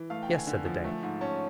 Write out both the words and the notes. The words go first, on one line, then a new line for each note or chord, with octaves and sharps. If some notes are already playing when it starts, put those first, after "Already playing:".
"Yes," said the dame.
Already playing: E3
A3 F5
G5
D3
G#5
D3
F3
A3
G#2
C#4 A5